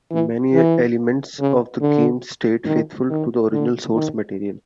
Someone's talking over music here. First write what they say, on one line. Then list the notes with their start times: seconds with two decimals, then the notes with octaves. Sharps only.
Many elements of the game stayed faithful to the original source material.
0.11 E3
0.54 E3
1.40 C#3
1.81 D3
2.67 D#3
3.10 D#3
3.53 D3
3.94 D#3